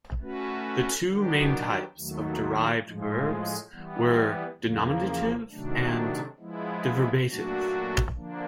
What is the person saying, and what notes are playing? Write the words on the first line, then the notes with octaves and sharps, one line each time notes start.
The two main types of derived verbs were denominative and deverbative.
A3 C#4 F#4 B4
D#3 F#3 B3 D4 G4
D#2 D#3 F#3 A3
A2 F3 G#3
E3 G3 B3
E2 C#3 F3 A#3
C3 D#3 F#3 A3 D4
F3 G#3 B3 E4
A#2 F#3 A3 D4 F#4
D3 F3 A#3 D4